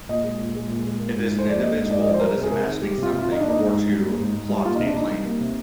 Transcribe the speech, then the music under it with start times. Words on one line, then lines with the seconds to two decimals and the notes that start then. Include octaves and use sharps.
It is an individual that is imagining something or to plot a plan.
0.09 A#2 D#5
0.24 G#3
0.39 A#2
0.55 G#3
0.69 A#2
0.85 G#3
1.00 A#3
1.15 G#2
1.30 G#2
1.39 C5
1.45 F3 D5
1.60 A#3 D#5
1.76 G#2
1.86 D#5
1.91 G#2 D5
2.00 D#5
2.06 F3 D5
2.14 C5
2.21 G3 A#4
2.37 C3
2.43 G#4
2.51 C3 A#4
2.67 D#3
2.82 G3 G4
2.98 C3
3.03 F4
3.13 C3
3.22 F4
3.28 D#3 D#4
3.41 A#3 D4
3.50 D#4
3.59 G#2
3.73 G#2
3.89 G3
4.04 A#3
4.20 G#2
4.34 G#2
4.49 G3
4.65 A#3 F4
4.75 C3 D#4
4.86 D4
4.95 C3 D#4
5.10 G3
5.25 A#3
5.40 C3